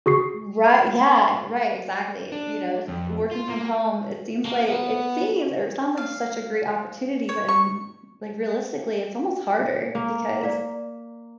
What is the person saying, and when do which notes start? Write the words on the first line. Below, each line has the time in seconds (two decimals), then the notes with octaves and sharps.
Ri yeah. Right, exactly. You know, s working from home, it seems like it seems or it sounds like such a great opportunity, but in r like, realistically, it's almost harder, because
0.06 F#4 G#4 C#6 C7
2.32 D4
2.88 F2
3.31 F4
3.48 A#3
4.46 A#3
4.68 B3
5.97 F5
7.29 C#5
7.48 C#6
9.95 A#3
10.42 D5 F5 A#5